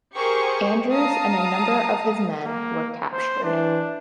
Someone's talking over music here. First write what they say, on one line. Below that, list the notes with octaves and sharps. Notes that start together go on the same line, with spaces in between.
Andrews and a number of his men were captured.
G4 G#4 A#4 C5 C#6
F5 A5 A#5 D#6
A#3
C5
E3 D4